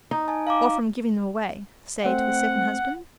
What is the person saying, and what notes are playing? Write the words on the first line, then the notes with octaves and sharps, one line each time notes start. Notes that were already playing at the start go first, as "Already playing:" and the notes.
"Or from giving them away,--say to a second husband."
D#4
G#5 A5
F5 A#5 D6
A3 C4 C5 F#5